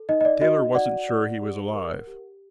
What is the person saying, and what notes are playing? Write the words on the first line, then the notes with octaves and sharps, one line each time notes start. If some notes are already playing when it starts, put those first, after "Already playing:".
Taylor wasn't sure he was alive.
Already playing: A4
D#4 D#5
D#5
D5
F#4 D#5
D5 F#5
D5
G4
A#4
G4